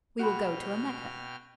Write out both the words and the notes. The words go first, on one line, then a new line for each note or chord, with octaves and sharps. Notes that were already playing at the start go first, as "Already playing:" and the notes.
We will go to a Mecca.
B2 F#4 G5 B5 F6